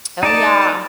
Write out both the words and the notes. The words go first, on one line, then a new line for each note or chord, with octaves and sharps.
Oh, yeah.
D#4 D5 A5